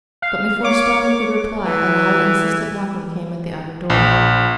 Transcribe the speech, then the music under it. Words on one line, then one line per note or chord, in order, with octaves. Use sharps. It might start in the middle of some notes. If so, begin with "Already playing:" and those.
But before Spargo could reply, a loud insistent knocking came at the outer door.
F5
C#5 D6
E3
A#1